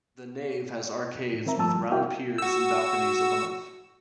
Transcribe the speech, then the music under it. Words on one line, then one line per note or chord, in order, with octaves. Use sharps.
The nave has arcades with round piers and balconies above.
A2
D#3 C4 A#4 E5 A#5
G2 F3 A3 A5 E6
G3
E4 F#4 A#4 E5 F5 G5
F#4 E6